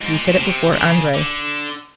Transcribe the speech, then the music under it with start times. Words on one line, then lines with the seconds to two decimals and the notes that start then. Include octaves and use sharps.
You said it before Andrey.
0.02 G#2
0.14 A#2
0.27 B2
0.40 C3
0.73 D3
0.77 C#3
1.15 D3